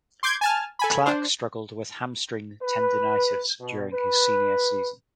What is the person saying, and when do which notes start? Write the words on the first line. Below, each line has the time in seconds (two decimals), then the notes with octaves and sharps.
Clark struggled with hamstring tendinitis during his senior season.
0.23 C6 D6 G6 G#6
0.41 G#5 A5 F6
0.79 A4 G#5 B5
1.06 D4 C5
2.62 B4
3.60 B2
3.92 B4